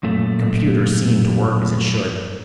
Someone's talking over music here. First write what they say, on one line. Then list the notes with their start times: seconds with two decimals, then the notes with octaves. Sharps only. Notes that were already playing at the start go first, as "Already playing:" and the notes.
The computer seemed to work as it should.
0.03 F#2 A#2 A3